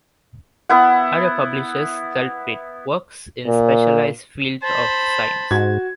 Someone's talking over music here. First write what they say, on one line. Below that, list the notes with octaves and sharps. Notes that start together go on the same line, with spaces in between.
Other publishers dealt with works in specialized fields of science.
B3 E4 F#5
A#2
C5 A5 B5
G#2 F#4 G#6